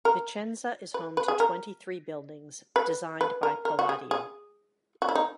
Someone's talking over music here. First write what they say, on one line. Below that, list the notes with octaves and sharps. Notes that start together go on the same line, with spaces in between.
Vicenza is home to twenty-three buildings designed by Palladio.
A#4
B4
B4
G#4
A#4
B4
B4
A#4
A#4
F#4
G#4
G#4
F#4
E4
D#4